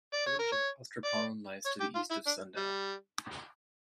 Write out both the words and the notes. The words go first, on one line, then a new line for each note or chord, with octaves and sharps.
The village of Austrepollen lies to the east of Sunndal.
D5
C#5
A#4
C#5
D5
C#5
G4
F4
E4
D4
G3